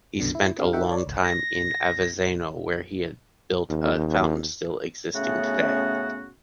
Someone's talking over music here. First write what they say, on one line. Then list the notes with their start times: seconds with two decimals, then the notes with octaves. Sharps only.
He spent a long time in Avezzano where he had built a fountain still existing today.
0.19 C2 F#2 B2 D3
0.35 E4
0.58 C4 D4 G4 F5
0.73 D#4 F#4 A#4 E5 F#5 G5
0.91 C#5 D5
1.06 G#1 C#2
1.24 A#6
3.69 D#2
5.15 A2 C#3 A3 B3 C#4 F#4